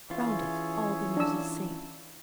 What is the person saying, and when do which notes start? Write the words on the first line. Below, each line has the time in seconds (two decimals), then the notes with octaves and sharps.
Round it all the Muses sing.
0.10 E3 C#4 F4 G#4 C#5 E5
1.17 D4 E6